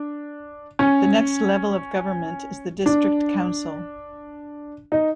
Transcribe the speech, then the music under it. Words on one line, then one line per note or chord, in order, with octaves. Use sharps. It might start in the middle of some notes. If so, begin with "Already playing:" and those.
The next level of government is the district council.
Already playing: D4
C#4
D4
D#4